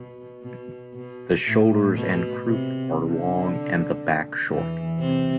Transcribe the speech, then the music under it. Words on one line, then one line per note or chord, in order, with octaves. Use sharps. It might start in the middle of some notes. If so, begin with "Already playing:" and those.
The shoulders and croup are long and the back short.
Already playing: B2
B2
B2
A2
B2
C3
D3
E2 E3
C3 C4